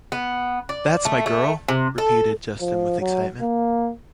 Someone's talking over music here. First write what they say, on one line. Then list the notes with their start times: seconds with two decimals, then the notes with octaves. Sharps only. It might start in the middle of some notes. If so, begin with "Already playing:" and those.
That’s my girl! Repeated Justin with excitement.
0.12 B3
0.69 D5
1.05 A3
1.26 A3
1.68 C3
1.98 A4
2.61 F3
3.01 F#3
3.41 A#3